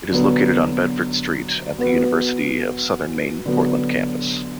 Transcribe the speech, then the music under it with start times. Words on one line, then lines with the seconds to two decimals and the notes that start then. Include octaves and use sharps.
It is located on Bedford Street at the University of Southern Maine Portland Campus.
0.12 D3 F#3 B3
1.78 B3 F#4 B4
3.46 D3 F#3 B3